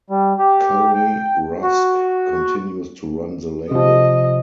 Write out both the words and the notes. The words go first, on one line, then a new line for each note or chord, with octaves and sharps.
Corey Rusk continues to run the label.
G3
G4
G5
F#4
C3 F3 D#5